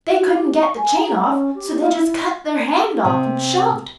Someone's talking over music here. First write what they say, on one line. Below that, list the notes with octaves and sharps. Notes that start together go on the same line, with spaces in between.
They couldn't get the chain off, so they just cut their hand off and shoved.
F#4
G4
C#6
G#5
A#5
F#5
C#4
G4
F4
E4
C3